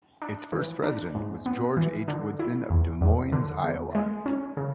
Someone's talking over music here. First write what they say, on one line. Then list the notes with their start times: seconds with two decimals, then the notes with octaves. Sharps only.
Its first president was George H. Woodson of Des Moines, Iowa.
0.22 D4
0.52 E3
0.83 D4
1.15 G#2
1.46 B3
1.77 E3
2.08 D3
2.39 E4
2.70 E2
3.01 E2
3.32 D3
3.64 E2
3.95 G#3
4.26 C#4
4.57 C#3